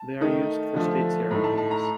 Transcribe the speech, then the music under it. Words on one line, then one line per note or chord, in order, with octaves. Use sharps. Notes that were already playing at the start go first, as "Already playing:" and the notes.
They are used for State ceremonies.
Already playing: A5
D#3 A3 D#4
D3 F3 A3
A2 A3 D#4 A#5
A5
A5
A#5